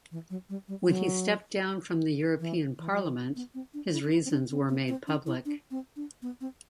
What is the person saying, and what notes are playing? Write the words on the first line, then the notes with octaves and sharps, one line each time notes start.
When he stepped down from the European Parliament, his reasons were made public.
E3
F#3
G3
G3
F#3
E3
E3
F#3
E3
B3
C4
D4
E4
D4
E4
C4
D4
C4
B3
C4
D4
E4
D4
C4
D4
B3
C4